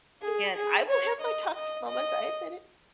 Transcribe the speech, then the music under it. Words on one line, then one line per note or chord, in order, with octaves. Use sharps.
And I will have my toxic moments, I admit it.
G#4
G#4
C#5
D#5
D#5
D#5